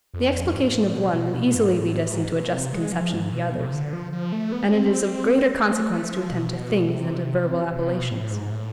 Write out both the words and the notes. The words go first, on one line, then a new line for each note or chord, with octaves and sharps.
The explication of one will easily lead us into a just conception of the others; and it is of greater consequence to attend to things than to verbal appellations.
F2
G#2
A2
B2
B2
B2
B2
F2
G#2
A2
G#2
B2
C3
G#3
F3
G#2
B2
B2
C3
D3
F3
F3
A3
B3
D4
C4
A3
A3
F3
B2
C3
C3
B2
A2
G#2
A2